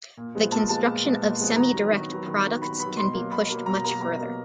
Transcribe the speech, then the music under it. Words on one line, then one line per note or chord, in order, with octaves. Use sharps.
The construction of semidirect products can be pushed much further.
A#2
F3 G#3 B3
A#2 A5
F3 G#3 B3 A5
A#2
F3 G#3 B3
A#2
F3 G#3 B3
D#3 A#5
F#3 B3
D#3
F#3 B3
D#3
F#3 B3
D#3 B5
F#3 B3 B5
B2 C6
F#3 A#3
B2 B5
F#3 A#3
B2 A#5
F#3 A#3 A#5
B2 A#5
F#3 A#3